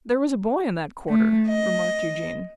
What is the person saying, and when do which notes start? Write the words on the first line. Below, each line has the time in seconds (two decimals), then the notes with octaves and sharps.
'There was a boy in that quarter,' remarked Eugene.
1.08 A3
1.48 D#5